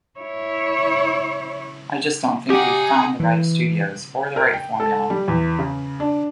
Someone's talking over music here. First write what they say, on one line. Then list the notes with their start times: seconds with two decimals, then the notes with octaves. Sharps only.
I just don't think we've found the right studios, or the right formula.
0.19 E4 C#5
2.50 D#4 G4 G#4 F#5
3.20 E3
4.36 A#4
4.53 G5
4.80 A4
5.10 G3
5.28 E2
5.59 C#3
6.00 D4